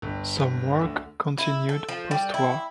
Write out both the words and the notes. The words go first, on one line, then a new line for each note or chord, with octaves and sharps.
Some work continued postwar.
G1
D2
E4
A4
F3
G3
E4